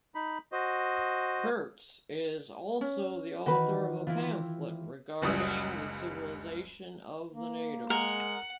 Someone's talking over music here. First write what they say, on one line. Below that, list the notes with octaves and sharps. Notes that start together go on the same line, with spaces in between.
Kurtz is also the author of a pamphlet regarding the civilization of the natives.
D#4 B5
F#4 C5 D#5
C#4
D#3 E3 F#4 B4
E3 C4 E4 F4
F#1 C#2 G3 D#6
A#3
G#3 A#4 F#5